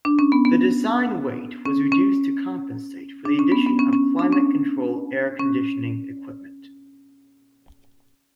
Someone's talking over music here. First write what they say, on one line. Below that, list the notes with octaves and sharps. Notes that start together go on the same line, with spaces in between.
The design weight was reduced to compensate for the addition of climate-control air-conditioning equipment.
D4
C#4
B3
B3
C#4
C#4
D4
C#4
B3
B3
C#4
C#4
D4
C#4
C#4